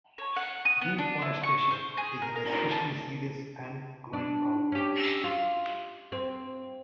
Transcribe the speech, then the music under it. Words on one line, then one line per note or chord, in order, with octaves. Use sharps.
Deforestation is an especially serious and growing problem.
C#5
F#5
D#6
B3
D4
E4
C#6
C5
G#4
A#4
A#4
A5
D4
C#4 G4
F4
C4